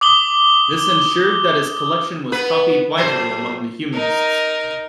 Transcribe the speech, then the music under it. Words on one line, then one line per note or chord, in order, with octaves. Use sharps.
This ensured that his collection was copied widely among the humanists.
D6 D#6 F#7 G7
B3 B4
A2 F#3 C5
D#4 A#4